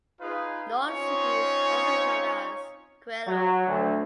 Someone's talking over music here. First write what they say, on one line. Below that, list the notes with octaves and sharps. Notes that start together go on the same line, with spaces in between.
North City is also known as "Coello".
D#4 F4 G#4 B4 F5
C4 C#4 D#4 F4 C#5
F#3
D2